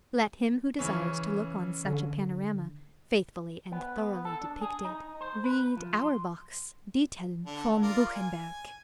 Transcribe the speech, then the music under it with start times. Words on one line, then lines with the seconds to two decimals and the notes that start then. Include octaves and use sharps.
Let him who desires to look on such a panorama, faithfully and thoroughly depicted, read Auerbach's "Diethelm von Buchenberg."
0.79 C#3 E3 C#4
1.85 D3
3.72 B3
3.97 B3
4.25 A4
4.41 D4
4.61 G#4
4.85 D#4
5.21 C5
5.44 B4
5.77 F3
5.95 C6
7.45 D3 D4
7.82 F4 A#4 D5
8.15 G#5